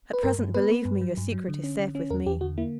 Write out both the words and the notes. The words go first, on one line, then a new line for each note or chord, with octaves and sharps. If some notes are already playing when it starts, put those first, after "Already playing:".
At present, believe me, your secret is safe with me.
B4
G2 A#4
G2
B3 B4
B3
G2
F#3
G2
F#3
D3
C#4
D3
C#4
E2 A#4
E2 G4
D3 F#4
A#3 E4